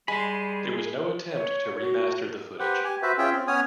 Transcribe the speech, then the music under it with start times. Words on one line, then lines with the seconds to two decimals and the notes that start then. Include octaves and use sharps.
There was no attempt to remaster the footage.
0.08 G3 G#3 G#5 B5 C6
1.28 C#5
1.79 F#4
2.59 G4 B4 C5 F#5
2.84 G4 G#5
3.02 F#4 B4 C5 E5
3.18 C#4 F4 G#4 E5 G5
3.32 C4
3.48 B3 C#4 C#5 G#5 D#6 F6